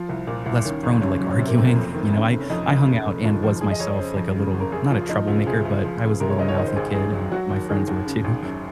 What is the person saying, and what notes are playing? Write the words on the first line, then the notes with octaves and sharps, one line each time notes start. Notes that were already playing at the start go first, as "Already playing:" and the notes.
less prone to, like, arguing. You know, I I hung out, and was myself like a little not a troublemaker, but I was a little mouthy kid, and my friends were, too.
Already playing: F3 F4
C2
A#2
C2
D#3 C#4
F#1
F#2 C#4
F#3
C#4
C3 C4
A#3
F1 C4
A#3
F2 C4
D#3
C#3 C4
F1 C4
C#4
F2 D#4
F1
C#3
F1
D#2 F4
F3
F3 G#4
D#5
F2 C#5
C#3 C5
F2
C#3
F#1
A#4
F#2 G#4
F3 F4
F3 D#4
C#2 F4
C3 G#4
C#2
F3
C#2
C3 A#4
C#5
C#2 D#5
C#5
D#3 D#5
C5
G#1 G#4
F#2 G#4
F#3
F#3 F#4
D#2
D#3 G#4
D#2
C#3
G#1
F#2